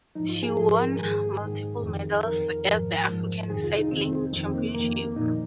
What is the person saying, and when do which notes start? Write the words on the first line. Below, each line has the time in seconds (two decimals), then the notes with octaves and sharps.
She won multiple medals at the African Cycling Championships.
0.15 G#2 F3 D#4
0.29 F4
0.43 G#4
0.57 G#2 F3 G#4
0.71 A#4
0.99 G#2 D#3 G#4
1.41 G#2 D#3
1.82 F2 D#3
2.24 F2 D#3 A#4
2.66 G#2 F3
3.08 G#2 F3
3.50 F2 C3 D#3 G#4
3.64 F4
3.78 D#4
3.91 F2 C3 D#3 C4
4.33 F2 D#3 C4
4.54 A#3
4.75 F2 D#3 A#3
4.96 A#3
5.16 A#2 F3 D#4